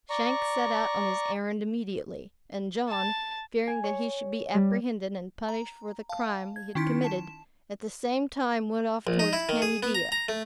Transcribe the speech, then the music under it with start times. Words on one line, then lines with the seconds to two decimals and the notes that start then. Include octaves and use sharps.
Shanks set out on his errand immediately,--and John, fearing that he should be apprehended and punished for the crime he had committed, at the same time went off towards Caneadea.
0.10 D5 A#5 C#6
2.88 A5
3.67 G#5
3.84 C#5
4.54 G3
5.49 A#5
6.09 F5 A5
6.56 G#6
6.75 D#3 C#4 D#4 E4 C6 B6
7.04 A5 E7
9.07 A#1
9.19 D#4
9.33 E4
9.49 D#3
9.62 G#4
9.83 B3
9.95 A#5
10.12 A#5
10.28 A3